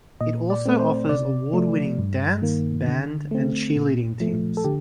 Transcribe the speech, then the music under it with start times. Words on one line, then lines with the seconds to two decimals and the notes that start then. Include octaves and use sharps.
It also offers award winning Dance, Band and Cheerleading teams.
0.21 A#2 D#5
0.50 D5
0.65 A3 C4
0.79 C5
1.09 C3 D5
1.54 F3 A3
1.99 G2
2.42 D#3 A#3
2.87 D3
3.31 A3 C4
3.76 A#2
4.20 F3 A3
4.57 A4
4.64 D3 G4